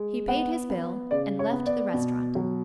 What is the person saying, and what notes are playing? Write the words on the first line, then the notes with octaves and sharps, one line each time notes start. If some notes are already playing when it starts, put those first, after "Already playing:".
He paid his bill and left the restaurant.
Already playing: G#3
B3 F#5
B3
C#3 D5
C#5
B3
D5
B2
F#3